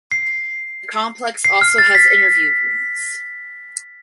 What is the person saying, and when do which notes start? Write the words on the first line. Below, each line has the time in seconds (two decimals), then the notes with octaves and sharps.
The complex also has interview rooms.
0.12 C7
1.45 C7
1.61 F6
1.78 A6
1.95 B6